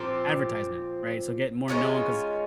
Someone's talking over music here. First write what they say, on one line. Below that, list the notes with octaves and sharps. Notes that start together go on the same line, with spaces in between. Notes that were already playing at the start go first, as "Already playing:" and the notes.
advertisement," right? So, get more known 'cause"
Already playing: A#2 F3 C4 G4
D#3 G#3 C#4 F4